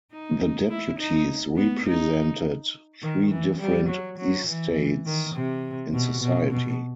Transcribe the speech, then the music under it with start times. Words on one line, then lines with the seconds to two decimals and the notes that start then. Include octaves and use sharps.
The deputies represented three different "estates" in society.
0.12 D#4
0.70 E4
0.99 D#4
1.56 B3
1.85 D#4
3.02 D#3
3.31 E3
3.60 G3
3.89 F#3
4.18 F#3
4.47 E3
5.06 D#3
5.34 C3
5.93 B2
6.21 B2
6.51 B2